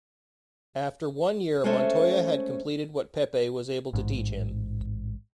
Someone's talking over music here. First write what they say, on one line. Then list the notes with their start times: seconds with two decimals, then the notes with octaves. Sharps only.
After one year Montoya had completed what Pepe was able to teach him.
1.64 G#3 A3 C#4 A4 C5 E5
3.93 A1 G#2